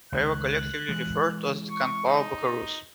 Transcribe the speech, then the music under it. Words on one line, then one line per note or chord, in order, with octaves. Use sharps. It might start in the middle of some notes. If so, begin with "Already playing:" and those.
They were collectively referred to as the Kung-Pao Buckaroos.
C#2 D#3 F#6
E3 G#3
C#6
D#4